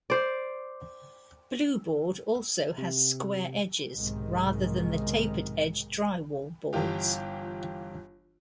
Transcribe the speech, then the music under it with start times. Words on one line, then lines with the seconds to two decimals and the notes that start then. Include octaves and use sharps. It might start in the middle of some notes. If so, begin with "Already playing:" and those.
Blueboard also has square edges rather than the tapered-edge drywall boards.
0.10 C5 D5
2.78 C3
3.94 B1 G#2 C3 D#3 G#3
6.73 G1 E3 F4 G4